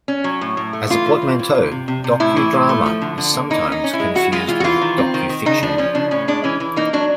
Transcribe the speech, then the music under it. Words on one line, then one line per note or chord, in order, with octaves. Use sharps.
As a portmanteau, "docudrama" is sometimes confused with docufiction.
C#4
F#3
A2
A2
A3
E3 F4
E3
C4
E3
C3
C3
C3
C3
A2 E4
E3
A2
A3
F3
D3
D3
A#3
E3 D#4
C#4
D#4
C#4
E4
G#3
E3 F#4
G#3 F4
E3 F4
F#4
E3 F4
D#3
C4
D#3
D#3
C#3 D#4
F3 D4
F3 C#4
C#3 D4
A2 C#4
G#3 D4
E3 C#4
E3
A#3 D#4
F#3 D4